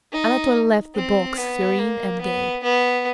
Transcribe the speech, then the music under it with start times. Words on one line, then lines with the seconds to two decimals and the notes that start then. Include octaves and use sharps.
Anatole left the box, serene and gay.
0.13 D#4
0.95 C4
1.38 B3
1.79 A#3
2.21 B3
2.63 B3